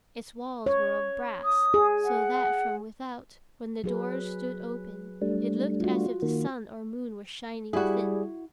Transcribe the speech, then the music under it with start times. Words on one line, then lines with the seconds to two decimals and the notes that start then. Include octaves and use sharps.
Its walls were of brass, so that from without, when the doors stood open, it looked as if the sun or moon were shining within.
0.66 C#5
1.44 D#6
1.74 G#4
2.05 F#5
3.84 F#3 G#4 B4
5.22 G3 A3 D4
5.80 F4 F#4
6.22 D#3 A#3
7.73 G3 E4 F#4 G#4